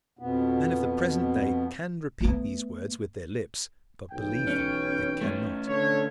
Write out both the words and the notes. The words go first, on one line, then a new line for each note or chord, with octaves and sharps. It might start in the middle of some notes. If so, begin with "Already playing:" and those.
Men of the present day can repeat these words with their lips, but believe them they cannot.
F2 B2 B3
A3 B3
B1 E3 G5
C#4
A3 C#4
D3 A4 C#5